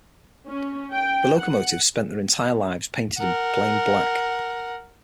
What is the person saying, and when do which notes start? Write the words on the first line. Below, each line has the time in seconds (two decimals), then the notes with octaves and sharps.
The locomotives spent their entire lives painted in plain black.
0.47 C#4
0.93 G5
1.38 F#5
3.18 A#4 F#5